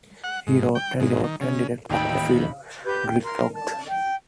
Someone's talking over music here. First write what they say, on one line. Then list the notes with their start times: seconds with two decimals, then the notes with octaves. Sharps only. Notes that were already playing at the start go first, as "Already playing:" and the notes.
He wrote and directed the cult film "Gridlock'd".
0.24 F#5
0.47 G#2
0.75 G5
1.00 G#2
1.24 D#3
1.41 C#3
1.91 A1 D#2 D#4 E4 G5 B5
2.85 G4 B4 G6
3.05 G5
3.23 A#4 C6
3.54 A5
3.90 G5